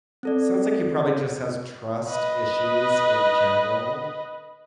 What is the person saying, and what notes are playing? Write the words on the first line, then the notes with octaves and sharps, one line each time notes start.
sounds like he probably just has trust issues in general,
C4 A4 D5
B4 D#5